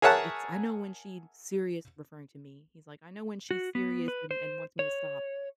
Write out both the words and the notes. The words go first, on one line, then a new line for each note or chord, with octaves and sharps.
it's I know when she's serious" referring to me- he's, like, "I know when she's serious and and wants me to stop."
G#4 A#4 C#5 E5 F#5 A5
F#4
B3
B4
C5
C#5